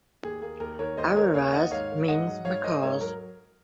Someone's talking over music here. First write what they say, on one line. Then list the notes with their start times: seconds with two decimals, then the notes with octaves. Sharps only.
Araras means macaws.
0.24 D#2 G#4
0.42 A#3 G#4
0.60 D#2 A#4
0.79 D#3 A#4 C#5
0.97 D#2 C5 D#5
1.16 A#3 A#4 C#5
1.34 D#2 C#5 F5
1.53 D#3 D#5 F#5
1.71 G#2 C#5 F5
1.91 A#3
2.08 G#2 D#5 F#5
2.27 F#3
2.45 G#2 C#5 F5
2.64 A#3 C5 D#5
2.82 G#2 A#4 C#5
3.00 F#3 A#4